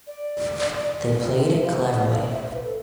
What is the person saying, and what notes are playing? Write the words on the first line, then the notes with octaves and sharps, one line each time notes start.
They played it cleverly.
D5
C5
E5
F5
F5
E5
C5
B4
A4